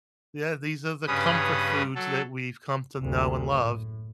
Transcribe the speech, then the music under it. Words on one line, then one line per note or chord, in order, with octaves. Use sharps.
Yeah, these are the comfort foods that we've come to know and love.
G2 C#3 C#4 B4 D#6
F#3 A4
F#1 D2
A2